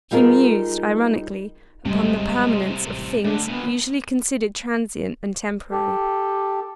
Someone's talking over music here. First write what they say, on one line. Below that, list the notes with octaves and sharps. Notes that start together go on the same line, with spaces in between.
She mused, ironically, upon the permanence of things usually considered transient and temporary.
G3 D#4 F4 G#4 A#4
G#1 A2 C3 G3 G#3
A1
G#2 D3 A3 D4
D#2 A#2 B3
G4 A4